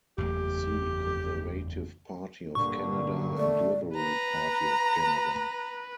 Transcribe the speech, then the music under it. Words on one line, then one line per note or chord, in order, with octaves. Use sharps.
See Conservative Party of Canada and Liberal Party of Canada.
F#1 E2 A3 G4
G2 A#2 D3 C#6
A3 D5
B4 A#5